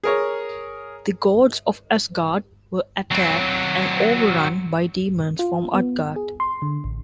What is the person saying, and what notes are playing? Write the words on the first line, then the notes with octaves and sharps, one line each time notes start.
The gods of Asgard were attacked and overrun by demons from Utgard.
G#4 A#4 C#5
F#3 C4
F4
B3
G#4
C6
D3
A1